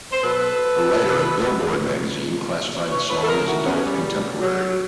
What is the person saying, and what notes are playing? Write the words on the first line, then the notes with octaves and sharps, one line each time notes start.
A writer of "Billboard" magazine classified the song as adult contemporary.
C5
B2 F#3 A4 B4
C3 D#3 F#3
A#2 F3
A#2 F#3
B4 C#5
A4 B4
A4
C#3 F3 G#4 A#4
E4 F#4
B3 C#4
G3
B2 F#3
F#3